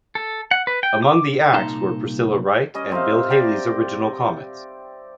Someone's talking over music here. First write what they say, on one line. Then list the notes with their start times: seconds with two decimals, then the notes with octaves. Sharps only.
Among the acts were Priscilla Wright, and Bill Haley's Original Comets.
0.15 A4
0.51 F#5
0.67 B4
0.83 G5
1.03 D6
1.53 C2 A#2 D#4 A5 A#5 C6
2.74 G3 C#4 D#5
2.92 C4 D#4 E5 F5
3.30 G4 D5 G5 A#5